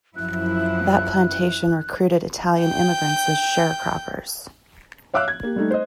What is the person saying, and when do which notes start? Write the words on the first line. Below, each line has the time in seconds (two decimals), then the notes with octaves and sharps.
That plantation recruited Italian immigrants as sharecroppers.
0.16 F#2 F3 E4 F#6
2.60 G5 G6
5.14 C#5 E5 F5 D6 E6 F#6
5.28 G#6
5.43 A#3 G4
5.56 G3 A3 D#4
5.71 C5 D#5